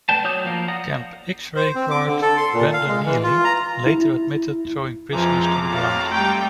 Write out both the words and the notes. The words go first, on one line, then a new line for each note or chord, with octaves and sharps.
Camp X-Ray guard Brandon Neely later admitted throwing prisoners to the ground.
A3 B4 D5 G5 A5
F#3 C#5 D6 D#6 G6
F3 A#3 F4 A#4
D5 F#5 A#5 D#6
C5
C4
D6
D3
A4
C6
A#2
F5
G#3
E3
F4
A#5
E4
F2 C3 E3 F3 G#3 G#4 A#5 D6
A2 F#4 F5 A5
G3 A3 G5